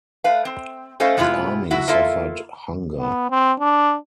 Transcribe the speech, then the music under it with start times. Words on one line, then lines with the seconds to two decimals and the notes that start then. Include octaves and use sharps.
His army suffered hunger.
0.24 A3 B4 F5
0.45 C4
1.00 A3 C#4 A4 C5 D#5 F5
1.17 C3 G#3 B3 E4 F4
1.71 F#3 E4 F#4
1.88 A#3 E4 F4 A4 E5
2.99 B3
3.30 C4
3.60 D4